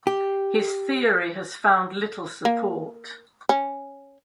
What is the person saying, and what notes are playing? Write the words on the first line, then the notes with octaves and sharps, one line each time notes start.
His theory has found little support.
G4
A#3
C#4